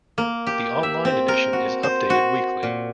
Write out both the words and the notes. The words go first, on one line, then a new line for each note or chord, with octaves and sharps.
The online edition is updated weekly.
A#3
G4
E5
C4
A#4
F#4
C5
F#4
A#2